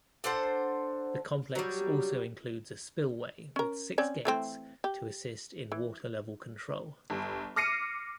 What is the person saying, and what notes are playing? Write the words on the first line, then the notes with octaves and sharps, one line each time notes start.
The complex also includes a spillway with six gates to assist in water-level control.
D4 A4 C5 F#5
F#3 G3
C#4 A#4
C4 C#4 D5
E3 A3 C4
G4
E3
G1
D6 F6 A#6 C7 C#7 D#7